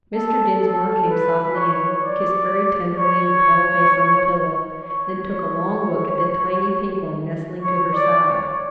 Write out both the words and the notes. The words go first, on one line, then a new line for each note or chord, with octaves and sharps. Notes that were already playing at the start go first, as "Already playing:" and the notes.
Mr. Dinsmore came softly in, kissed very tenderly the pale face on the pillow, then took a long look at the tiny pink one nestling to her side.
A4
A4
B4
C#5
D5
C#5
C#5
C#5
D5
C#5